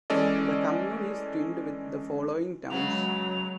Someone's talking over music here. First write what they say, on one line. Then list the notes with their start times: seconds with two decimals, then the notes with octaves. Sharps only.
The commune is twinned with the following towns.
0.10 E3 G#3 C#4 A4 D5 D#5
2.70 C#3 F#3 G#3 B3 F7